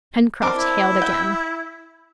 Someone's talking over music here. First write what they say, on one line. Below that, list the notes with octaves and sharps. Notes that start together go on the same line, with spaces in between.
Pencroft hailed again.
C4 D4 A#4 D6
E4
G5